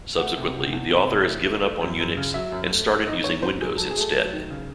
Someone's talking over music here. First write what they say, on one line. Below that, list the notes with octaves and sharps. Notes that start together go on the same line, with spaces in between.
Subsequently the author has given up on Unix and started using Windows instead.
A3 F#5
C3
C3
E2
C3
A3
E3
A3
A3
F#2
F#2
C#3
F#3 E5
F#2
A3
A3
G#2 D#5
G#2 C#5
G#2 C5
F#3 G#4
F#3 A4
G#4
A3 A4
F#3
D#3
C#3